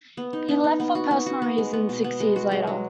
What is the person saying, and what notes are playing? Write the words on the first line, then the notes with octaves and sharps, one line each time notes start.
He left for personal reasons six years later.
B3
D#4
B3
D#4
B3
F#4
B3
F#4
B3
G#3
B3
B2
B3
G#3
F#4
G#3
F#3